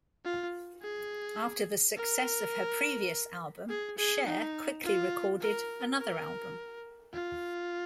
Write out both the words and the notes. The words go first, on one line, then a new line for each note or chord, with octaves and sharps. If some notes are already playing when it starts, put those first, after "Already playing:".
After the success of her previous album, Cher quickly recorded another album.
F4
G#4
A#4
G#4
G#4
D#4
F4
A#4
A#4
F4